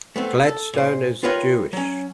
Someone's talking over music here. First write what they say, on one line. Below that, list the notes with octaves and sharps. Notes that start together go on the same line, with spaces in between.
Gladstone is Jewish.
A3 B3 C4
A4
A#2 C5
F4 G4 A#4 B4 C#5 F5
F#3 C#4